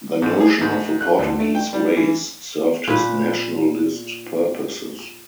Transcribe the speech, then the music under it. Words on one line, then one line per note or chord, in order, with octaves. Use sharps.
The notion of a Portuguese "race" served his nationalist purposes.
G#2
G#4
G#2
F#6
D2
A3
G5
G3
E3
A#2 B4